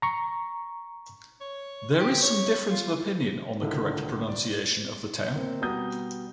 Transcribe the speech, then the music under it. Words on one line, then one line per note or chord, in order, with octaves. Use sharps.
There is some difference of opinion on the correct pronunciation of the town.
A#5 C#6
C#5
G4
C#5
F4
C#2 A2 D3 D#3
D5
A#3 C4
B2 G3 B3 A#5 D#6 G6